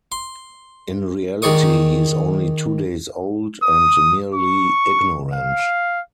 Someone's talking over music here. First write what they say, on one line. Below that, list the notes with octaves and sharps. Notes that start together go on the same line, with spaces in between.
In reality, he is only two days old and merely ignorant.
C6
D#3 G#4 D5 C#6 D#6
D#6
C#6
F5